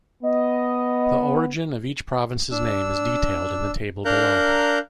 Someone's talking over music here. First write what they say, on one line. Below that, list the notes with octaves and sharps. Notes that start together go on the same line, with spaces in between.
The origin of each province's name is detailed in the table below.
B3 D#5
D4 E6
D4 A#4 F5 A#5 F#6 G6